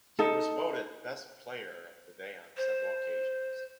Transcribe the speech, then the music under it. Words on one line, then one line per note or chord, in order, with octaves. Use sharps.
He was voted best player of the day on several occasions.
D#4 A4
C5